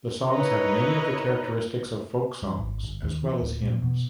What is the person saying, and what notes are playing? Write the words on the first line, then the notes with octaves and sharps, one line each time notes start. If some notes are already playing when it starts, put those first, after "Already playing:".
The songs have many of the characteristics of folk songs as well as hymns.
D#4 E4 A#4 B4 C#5 D#5
G2
G#1
G1
D#2
E3
D1
A#2
B2